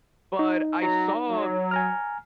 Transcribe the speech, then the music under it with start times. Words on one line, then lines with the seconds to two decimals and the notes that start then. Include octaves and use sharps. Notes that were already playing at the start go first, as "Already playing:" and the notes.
But I saw
0.39 D#4
0.81 F#3 A#5
1.29 F#3
1.71 G#5 A#5 F6